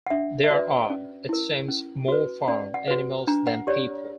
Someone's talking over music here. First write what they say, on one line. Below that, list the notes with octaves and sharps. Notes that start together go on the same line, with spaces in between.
There are, it seems, more farm animals than people.
F#5
D4 E5
E5
F#4 B4 D5
C#4
E4 A#4
C#4
F#4 B4
C#4 D5
F#5
F#4 B4
D4 A#5
F#5
G4 C#5 D5